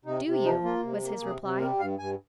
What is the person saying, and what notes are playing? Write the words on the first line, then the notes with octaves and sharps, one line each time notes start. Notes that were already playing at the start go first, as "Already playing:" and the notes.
"Do you?" was his reply.
C3 D#4
C3
F3 D#4
A#3 F4
C3
A#3
C3 G#4
C3
G3 A#4
G2 F5
G2 G#5